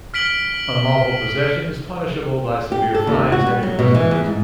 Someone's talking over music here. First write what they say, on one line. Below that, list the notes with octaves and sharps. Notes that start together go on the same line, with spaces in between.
Unlawful possession is punishable by severe fines and imprisonment.
F6 B6 D7 F#7 G7
G4
A4
D#2
F#4
G3
F#3
B2
E3
E2
G#2